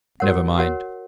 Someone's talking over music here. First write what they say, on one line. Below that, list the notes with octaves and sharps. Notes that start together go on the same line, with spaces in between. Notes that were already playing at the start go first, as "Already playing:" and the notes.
Never mind.
F#4 A#4 C#5 F#5
F#4 A#4 C#5 F#5